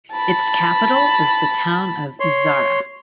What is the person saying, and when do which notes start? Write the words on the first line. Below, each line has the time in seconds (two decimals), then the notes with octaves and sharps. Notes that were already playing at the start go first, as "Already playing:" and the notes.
Its capital is the town of Izarra.
0.12 A5 B5
2.20 C#5 C6